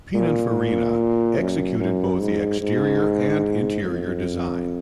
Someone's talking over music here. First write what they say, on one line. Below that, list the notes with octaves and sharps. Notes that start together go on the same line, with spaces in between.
Pininfarina executed both the exterior and interior design.
A#2
F#2
F#2
G#2
G#2
F2